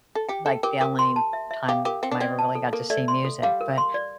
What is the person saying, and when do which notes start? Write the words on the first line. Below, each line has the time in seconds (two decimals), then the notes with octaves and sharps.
like, the only time I ever really got to see music. But
0.15 A4
0.29 G4 G5
0.46 A4 G5
0.63 G4 A#4
0.81 G4 A#4
0.99 C6
1.16 A5
1.33 E5
1.51 E5
1.68 G4 F5
1.85 G4 A#4
2.03 C4 G5
2.11 D4
2.20 C4 D5
2.39 A5
2.55 A4
2.73 A#3 A4
2.90 A3 D5
3.08 C6
3.25 A4
3.42 G3 F5
3.61 A#4
3.78 C6
3.94 D5